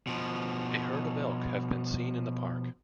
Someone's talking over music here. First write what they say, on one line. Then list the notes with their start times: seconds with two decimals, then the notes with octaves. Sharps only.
A herd of elk have been seen in the park.
0.07 B2 F3